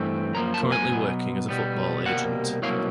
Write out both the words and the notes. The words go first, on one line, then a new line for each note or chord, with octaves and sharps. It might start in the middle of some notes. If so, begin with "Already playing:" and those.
Currently working as a football agent.
Already playing: G2 E3 A3 C4
F#2 C#3 F3 A#3 A#5
A5
G#5
B2 F#3 B3
B2 G3 B3
C2 B2 G3 A#3 F#5
C2 B2 F#3 A#3 F5